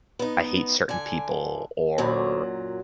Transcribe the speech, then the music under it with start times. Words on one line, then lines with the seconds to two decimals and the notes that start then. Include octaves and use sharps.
I hate certain people or
0.19 B3 D#4
0.89 D3 G#5
1.98 F#2 A#2 F#3